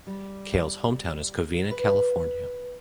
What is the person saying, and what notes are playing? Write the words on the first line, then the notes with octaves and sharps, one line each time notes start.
Keil's hometown is Covina, California.
G3
B4